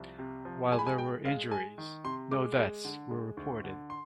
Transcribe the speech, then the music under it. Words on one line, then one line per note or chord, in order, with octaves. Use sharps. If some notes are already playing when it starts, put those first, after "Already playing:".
While there were injuries, no deaths were reported.
Already playing: C2 F3
C3
F3
G#3 G#5
B5
G#5
G#3 G5
G#3 F5
G#3 G#5
D#3
C3 C6
G#3 D6
G#3
D3
G#3
D2
D3
C6